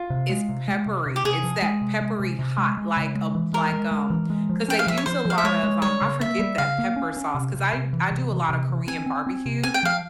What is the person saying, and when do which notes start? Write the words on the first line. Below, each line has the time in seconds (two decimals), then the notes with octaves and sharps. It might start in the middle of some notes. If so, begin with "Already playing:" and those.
It's peppery, it's that peppery hot, like a b like, um 'Cause they use a lot of, um I forget that pepper sauce, 'cause I I do a lot of Korean barbecue,
Already playing: F4
0.10 C3
0.29 G#3
0.49 C3
0.68 G#3
0.86 C3
1.06 C3
1.16 G4
1.24 C3 G#4
1.44 F3
1.62 G#3
1.81 C3
2.01 G#3
2.20 C3
2.39 C3
2.58 G#3
2.77 G#3
2.97 C#3
3.15 G#3
3.35 E3
3.53 G#3 A#4
3.73 G#3
3.91 G#3
4.10 E3
4.30 G#3
4.50 F3
4.68 C#4 G5
4.79 F5
4.87 F3 E5
4.97 C#5
5.06 F3 C5
5.25 F3 F5
5.38 E5
5.44 G#3 C#5
5.64 G#3
5.82 G3 C#5
6.02 C#3
6.20 A#3 E5
6.39 G3
6.58 C#3 F5
6.78 A#3
6.96 C#4
7.17 C#4
7.35 C3
7.54 C3
7.73 C3
7.93 E3
8.11 C3
8.31 E3
8.49 C3
8.69 E3
8.87 C4 G#5
9.06 C4
9.26 C4
9.46 C3
9.63 C4 G#5
9.74 G5
9.83 F3 F5